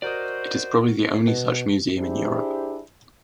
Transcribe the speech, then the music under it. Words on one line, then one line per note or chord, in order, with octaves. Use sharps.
It is probably the only such museum in Europe.
F#4 A#4 C5 D5 D#5
B2
D4 E4 G4 G#4 C5